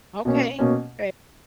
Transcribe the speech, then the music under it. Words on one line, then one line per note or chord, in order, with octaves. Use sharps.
Okay, okay.
B2 A#3 C#4
B2 A#3 C#4